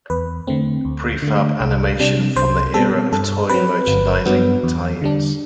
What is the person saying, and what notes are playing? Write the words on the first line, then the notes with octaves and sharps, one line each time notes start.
Prefab animation from the era of toy merchandising tie-ins.
E2 B4
D3 A3 C4
D2
D3 A3
C2
C3 G3 D4
C2 C5
B2 G3 C4 A4
G2 A4
F#3 C4 B4
G1
G2 F#3 B3
E2
D3 G3 D4